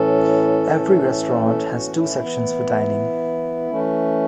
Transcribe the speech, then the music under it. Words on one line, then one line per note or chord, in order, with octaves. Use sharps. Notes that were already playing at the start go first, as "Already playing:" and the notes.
Every restaurant has two sections for dining.
Already playing: A2 E3 C#4 A4
A2 E3 A3 C#4
A4
F#4
E4
E3 B3
E3 A3 C#4